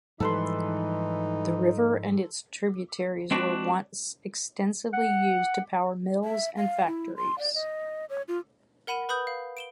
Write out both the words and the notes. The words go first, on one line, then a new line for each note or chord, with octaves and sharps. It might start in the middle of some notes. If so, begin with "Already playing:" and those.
The river and its tributaries were once extensively used to power mills and factories.
G#2 E3 F3 G3 D#4 A4 B4 C6
G#3 C4 D4 F#4 B4
F#5
E5
F5
E4
C6
D5
D#5
C#5
F4
A#4 F#5 B5 D#7 E7
B4 B5 D#6 G6 F#7
F5
D7 E7 G7